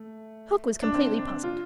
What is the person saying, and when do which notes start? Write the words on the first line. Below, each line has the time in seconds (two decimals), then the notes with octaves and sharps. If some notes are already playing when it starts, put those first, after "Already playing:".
Hook was completely puzzled.
Already playing: A3
0.83 D4
0.94 C4
1.19 D4
1.43 F4